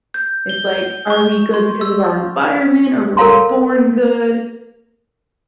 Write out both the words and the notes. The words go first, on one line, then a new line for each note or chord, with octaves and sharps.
It's like, are we good because of our environment or were we born good?
G6
G7
C#6
C6
E6
A4 A#4 C#5 F5 A#5 C6